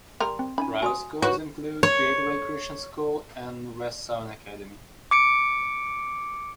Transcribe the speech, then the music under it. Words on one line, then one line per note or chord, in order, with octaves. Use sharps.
Private schools include Gateway Christian School and West Sound Academy.
G3 A#4 C6
C4
C#4 D#4 G#5 B5
F#4 G#5 C6 D#6
F#4 B4 C#5 A#6
C#5
D6 C#7 D7